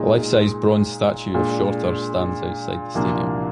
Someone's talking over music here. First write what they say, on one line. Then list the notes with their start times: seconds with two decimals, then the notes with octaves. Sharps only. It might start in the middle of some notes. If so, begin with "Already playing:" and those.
A life-size bronze statue of Shorter stands outside the stadium.
Already playing: A#2 G#3 D#4
1.34 A#2 G#3 D4
2.95 C2 A#2 F3 A#3 D4